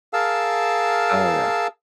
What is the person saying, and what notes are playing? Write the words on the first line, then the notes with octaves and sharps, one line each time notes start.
Oh, yeah.
G#4 A#4 F5 A5 E6